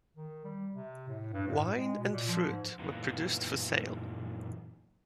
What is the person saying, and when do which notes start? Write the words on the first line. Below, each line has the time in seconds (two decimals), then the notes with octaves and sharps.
Wine and fruit were produced for sale.
0.16 D#3
0.44 G3
0.74 C3
1.08 A2
1.33 G2
1.48 A2
1.76 G#3
1.98 B2
2.12 A#2
2.28 F3
2.49 G#2
2.79 F#2 A#2 E3 B3 D#4 F4